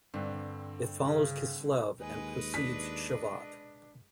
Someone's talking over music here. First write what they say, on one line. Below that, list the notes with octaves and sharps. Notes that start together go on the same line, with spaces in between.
It follows Kislev and precedes Shevat.
G2 D3 C4
C#3
D#2 G#3 B4 D#5 G#5
D4 B6